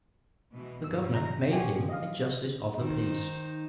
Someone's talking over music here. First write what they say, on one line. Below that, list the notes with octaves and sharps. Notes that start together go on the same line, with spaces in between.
The governor made him a justice of the peace.
B2 E3 G#3
G2 B2 F3 E6
A#5
A#2 C#3 F3 F#4 G4 G#5
D3 F#3 D#5 F5
D#3 D#4 C5